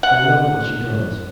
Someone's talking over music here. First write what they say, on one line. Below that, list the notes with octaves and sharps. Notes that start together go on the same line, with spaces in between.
I love what she does.
F#5